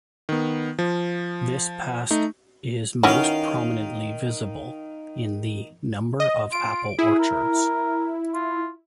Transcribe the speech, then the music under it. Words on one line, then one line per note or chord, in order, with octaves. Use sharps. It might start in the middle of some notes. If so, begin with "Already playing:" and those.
This past is most prominently visible in the number of apple orchards.
D#3 B3
F3
A3 D#4
D#3 E3 C#4 F#4 F5
D#5
F4 D7
E4 G#4
A#4
F4